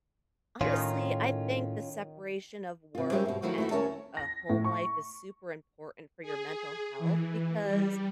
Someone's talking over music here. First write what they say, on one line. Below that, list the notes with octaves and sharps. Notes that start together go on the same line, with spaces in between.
Honestly, I think the separation of work and a home life is super important for your mental health because
A2 D#3 C#4 F4
C3 F4
G3 C#4 G4 A#4 C5 E5
G2 B2
D#3 F3 F#3 A3 E4
A3 E4 F#4
D2 C#4 A#4 C#5 E5 A5
A#6
A2
C#6
G#4
E3
G3